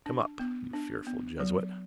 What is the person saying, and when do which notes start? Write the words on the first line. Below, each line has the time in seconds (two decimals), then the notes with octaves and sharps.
Come up, you fearful jesuit!
0.06 D4
0.39 B3
0.73 D4
1.07 B3
1.40 F#3